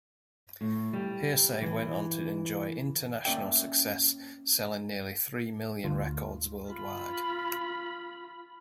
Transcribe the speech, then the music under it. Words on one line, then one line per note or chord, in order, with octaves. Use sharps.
Hear'say went on to enjoy international success, selling nearly three million records worldwide.
A2
G3
E3
A#3 C#4 D5 E5 G5
D2 F4
F4 B5